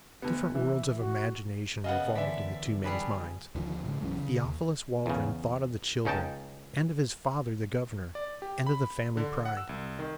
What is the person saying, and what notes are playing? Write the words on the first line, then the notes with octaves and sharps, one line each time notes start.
Different worlds of imagination revolved in the two men's minds. Theophilus Waldron thought of the children, and of his father the governor, and of the family pride.
D2 B3
E3 E5
F#4
C#3 A#3 B3 D#5 F5 F#5
D3 E3 D4 D5 E5 B6
G3 D4 G#4 B4 B5
D2 D3 D#3 F3
G#2 C#3 G#3
B1 F#2 E3 C#4
C#3
D#2
E2 C#3
C#2 C#4 D#4 G5 A5
D5
G4
B5
D3
F#5
E6
C2
D#3